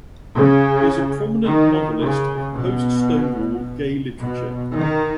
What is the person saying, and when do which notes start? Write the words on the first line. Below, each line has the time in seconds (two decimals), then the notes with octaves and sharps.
He is a prominent novelist of post-Stonewall gay literature.
0.35 C#3
1.45 D#3
2.00 C#3
2.54 B2
4.20 B2
4.76 D#3